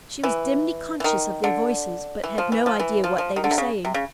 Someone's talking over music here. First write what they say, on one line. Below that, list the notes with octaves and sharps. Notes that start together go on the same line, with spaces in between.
She was dimly conscious of their voices, but had no idea what they were saying.
E3
E3
D#3
D3
E3
F3
E3
F3
E3
F3
F3
D#3
D3
C3
C#3
C3
C#3